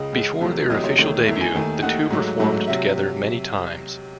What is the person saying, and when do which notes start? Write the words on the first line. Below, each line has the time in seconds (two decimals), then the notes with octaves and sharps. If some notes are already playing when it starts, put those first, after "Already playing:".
Before their official debut, the two performed together many times.
Already playing: C#2 C#3 G#3 D#5
0.13 C#2 C#3 G#3
0.41 E2 C3 F#3 A3
0.70 E2 C3 F#3 A3 D#5
0.84 C#5
0.98 E2 D#3 A3 C#5
1.26 E2 D#3 A3 E5
1.41 G#5
1.55 D#2 D#3 A3
1.82 D#2 D#3 A3 F#5
2.10 G#2 F#3 A3
2.39 G#2 F#3 A3
2.67 C3 F#3 E5